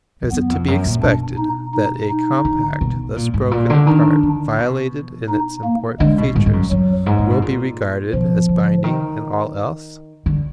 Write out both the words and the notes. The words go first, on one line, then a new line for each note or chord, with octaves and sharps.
Is it to be expected that a compact thus broken in part, violated in its important features, will be regarded as binding in all else?
F2
F#2 B3
F2
F#2
A#2
B2 D4
D#4
D#4
D#4
D3
B2
A#2
G#2
A#2
D3
D#3 D4
D3
B2
D#4
A#3
D3 G#3
B2
G#2
G#2
F#2
F#2 F#3
G#2
D3
B2
A#2
B2 F3
D3
D#3
D3